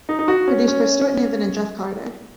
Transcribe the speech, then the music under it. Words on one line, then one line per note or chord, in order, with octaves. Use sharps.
Produced by Stuart Niven and Jef Carter.
D#4
D#4
F#4
C#4
C#4